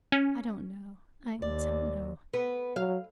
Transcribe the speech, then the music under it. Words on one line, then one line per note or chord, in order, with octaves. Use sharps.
"I don't know, I don't know."
C#4
D#2 D5
B3
F#3 F5